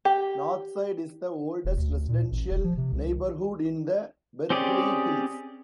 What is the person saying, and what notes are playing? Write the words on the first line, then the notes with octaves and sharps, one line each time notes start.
Northside is the oldest residential neighborhood in the Berkeley Hills.
G4
E1
D2
A#2
A1
E1
F3
C3
C2
C4 C#4 G4 G#4 D5